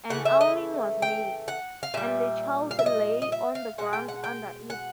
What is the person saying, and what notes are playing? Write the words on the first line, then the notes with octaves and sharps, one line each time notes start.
An awning was made, and the child lay on the ground under it.
C#3 E3 A3 F#5
E5
D#5
G5
F#5
F5
A#2 G3 E5
F5
E5
D#5
D#5
E5
F5
B2 G#3 F#5
G5
F#5
G5
F#5